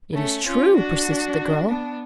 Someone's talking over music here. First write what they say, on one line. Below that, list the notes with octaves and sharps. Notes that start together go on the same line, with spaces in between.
'It is true,' persisted the girl.
A3 C#4
C#4 F4
D4 F#4
B3 D4